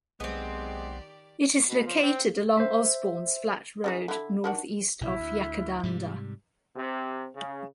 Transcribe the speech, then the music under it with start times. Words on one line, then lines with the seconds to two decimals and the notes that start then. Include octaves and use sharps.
It is located along Osbornes Flat Road, north-east of Yackandandah.
0.20 B1 D#3 G#3 B3 C4 G4 D5
1.68 B2
1.86 F3
2.02 C4
2.57 C5 E5
3.84 C#3 E3 D#4
4.08 D3 E4
4.44 D#3 D4 F#4
5.01 A#1 C3 E4
5.20 D2
5.83 G#2 C3 G3
6.74 C3
7.36 C#3